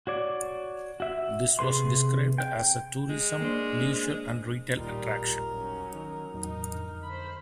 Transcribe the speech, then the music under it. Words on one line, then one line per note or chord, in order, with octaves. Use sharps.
This was described as a tourism, leisure and retail attraction.
F#4 C#5 D5
F#4 E5
C3 G#4 B4 C6
G5
G#3
A#3 D4 C5
A1 D#2 A#2 G3 D#4 F4 A#4
F#3 C#4 D#4
D#3 A#4
E2 A2 F#3 D#4
F2 D3 F6
C5 B5